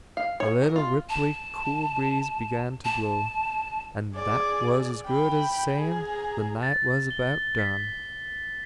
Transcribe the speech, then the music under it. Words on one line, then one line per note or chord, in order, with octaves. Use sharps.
A little ripply, cool breeze begun to blow, and that was as good as saying the night was about done.
F5
C#5
A#4
F4
A5
A5
G#4 D5
G5 B5
G#4 A#5
A6
G7
B6